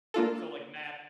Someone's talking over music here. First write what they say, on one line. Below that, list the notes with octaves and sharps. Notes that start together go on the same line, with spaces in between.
So, like, map
A#3 D4 F4 A4